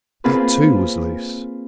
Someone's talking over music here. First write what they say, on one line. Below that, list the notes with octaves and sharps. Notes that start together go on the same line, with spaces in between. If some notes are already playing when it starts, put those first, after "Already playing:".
That too was loose.
A#3 C4 F4 G#4 B4